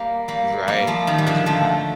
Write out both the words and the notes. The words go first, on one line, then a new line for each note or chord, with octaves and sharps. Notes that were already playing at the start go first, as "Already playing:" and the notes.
Right. She finds her path.
Already playing: G3 A#3
G3 A#3
G3 A#3
F3 A3
D#3 G3
G3
D3 F3
F3 A3